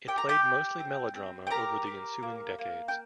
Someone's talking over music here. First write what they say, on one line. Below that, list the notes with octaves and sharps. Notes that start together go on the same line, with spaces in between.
It played mostly melodrama over the ensuing decades.
G4 G5
A#5
G4 G5
G4
C4
C4
G5
G4 A#4 A#5
G4
A#3
A#3
G5